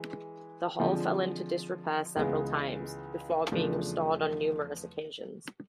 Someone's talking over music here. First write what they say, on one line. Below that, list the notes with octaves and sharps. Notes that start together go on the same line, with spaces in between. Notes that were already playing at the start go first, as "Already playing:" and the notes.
The Hall fell into disrepair several times, before being restored on numerous occasions.
Already playing: E3 G#3
D3 F3 G#3 C4
C#2 C#3 E3 G#3 B3
E2 C#3 F3 A3 D4